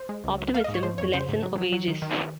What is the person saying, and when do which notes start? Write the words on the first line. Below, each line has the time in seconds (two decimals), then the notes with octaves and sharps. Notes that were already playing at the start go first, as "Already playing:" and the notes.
Optimism: The Lesson of Ages.
Already playing: C5
0.09 G#3
0.24 C#2
0.38 F#3
0.54 A#3 F5
0.64 G#2 D#5
0.74 C#5
0.83 F3 C5
0.98 F2 C#5
1.13 C#3 C5
1.29 G#2
1.42 F#3
1.58 F#3
1.72 F#3
1.88 D#3
2.02 D#3